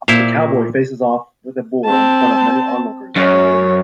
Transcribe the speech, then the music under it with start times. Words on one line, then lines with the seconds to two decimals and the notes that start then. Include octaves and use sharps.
A cowboy faces off with a bull in front of many onlookers at a rodeo.
0.08 A#2 E4 C5 F5
1.85 C4 A5
3.17 F#2 C#5